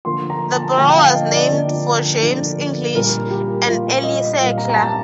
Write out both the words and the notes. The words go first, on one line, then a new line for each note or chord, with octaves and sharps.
The borough was named for James English, an early settler.
D3 F3 A#3 C6
A#5
A5
D3 F3 A#3 G5
G5
F5
D#5
D5
D3 F3 A#3
D3 F3 A#3
A#2 G3 A#3 A#4
G4
A#2 G3 A#3 F4
D#5
A#2 G3 A#3 F5
A#5
A#5
A5